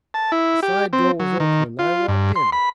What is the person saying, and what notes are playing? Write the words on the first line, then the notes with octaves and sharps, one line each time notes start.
The side door was open and I walked in.
A5
E4
G4
C4
F#3
D#3
F4
G2
C6
B5